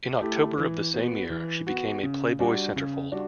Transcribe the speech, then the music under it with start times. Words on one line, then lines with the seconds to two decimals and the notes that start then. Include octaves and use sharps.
In October of the same year she became a "Playboy" centerfold.
0.21 A3 E4 G4
0.58 E3
0.94 B3 F#4
1.30 E3
1.67 B3 F#4
2.03 C#3
2.39 G3 D4 F#4
2.76 C#3
3.12 G3 D4 F#4